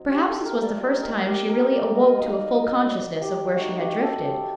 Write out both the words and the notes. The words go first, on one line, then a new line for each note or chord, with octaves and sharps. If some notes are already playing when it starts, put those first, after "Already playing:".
Perhaps this was the first time she really awoke to a full consciousness of where she had drifted.
Already playing: F#3 C4 D#4
G4
A4
A#4
D5
G3 C4 D#4 D5
A#4
G4
A#4
D5
D#5
F#3 A#3 D#4 D#5
D#5
D5
G4
F#3 A3 D#4 F#4
G4
G4
A4
G4